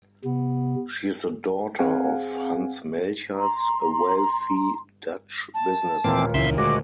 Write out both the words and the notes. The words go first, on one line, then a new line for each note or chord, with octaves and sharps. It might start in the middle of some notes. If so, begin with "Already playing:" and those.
She is the daughter of Hans Melchers, a wealthy Dutch businessman.
C3 B3
C4 G#4 F5 F#5 G#5
A#5 C6
A5
D#2 A#2 E3 C4 D6
C#2 C#3 E3 E5 C6
D2 G#3 F#4 D6